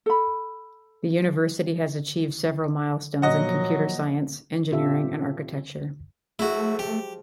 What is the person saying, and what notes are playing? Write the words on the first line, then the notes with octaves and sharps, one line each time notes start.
The university has achieved several milestones in computer science, engineering and architecture.
A4 B5
A#2 F3 F#3 A#3 D#5 F#5
A#2 C4 F4 G4 A4 E5
F3 F#3 G#3 A3 E4 F#4
G4